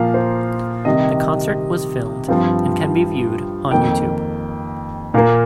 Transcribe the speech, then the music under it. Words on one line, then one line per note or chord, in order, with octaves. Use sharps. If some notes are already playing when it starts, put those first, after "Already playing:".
The concert was filmed and can be viewed on YouTube.
Already playing: A#2 F3 A#3 F5
C5
C3 D#3 G3 D#5
G2 F3 C4 F5
F2 D#3 A#3 G5
A#2 A#3 F5